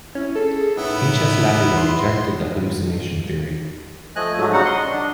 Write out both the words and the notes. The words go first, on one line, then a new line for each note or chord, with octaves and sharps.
Pinchas Lapide rejected the hallucination theory.
C#4 E4
G#4 A4
A2 B3 D#4 E4
C6
F3 A3 D#5 G#5 F#6
G#2 F3 F#3 A3
C#3 F#3 G3 D#4 F#4 F#5
D#5 F#5 C6
D4